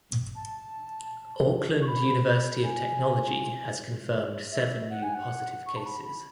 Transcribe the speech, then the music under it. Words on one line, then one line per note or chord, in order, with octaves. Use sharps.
Auckland University of Technology has confirmed seven new positive cases.
A5
C#6
B5
B5
G#5
E5
F#5
G#5
F#5
C#6
A5
B5
B5